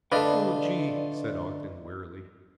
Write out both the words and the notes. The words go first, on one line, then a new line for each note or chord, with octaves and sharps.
"Oh, Gee," said Ogden wearily.
D3 A3 F4 B4 D5 D#5